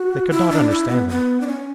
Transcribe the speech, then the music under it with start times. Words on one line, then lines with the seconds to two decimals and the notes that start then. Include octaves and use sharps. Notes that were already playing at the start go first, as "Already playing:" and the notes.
They could not understand him.
Already playing: F#4
0.30 E4
0.51 D4
0.70 E4
0.89 B3
1.09 B3
1.41 D4
1.47 C#4